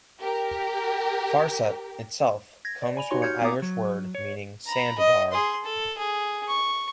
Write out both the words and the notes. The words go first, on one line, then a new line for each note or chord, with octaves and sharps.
"Farset" itself comes from an Irish word meaning "sandbar".
G4 A#4
G#6 A#6
D5
G#5 B5 F7
D#4 F#4 G4 C#5 C6 C#6
F6 G6 G#6 C#7
B3 F5 G#5 A#5 D6 D#6
F#3
C#5
A#5 B5
D#5
G#4 C6
A4
G#4
C#6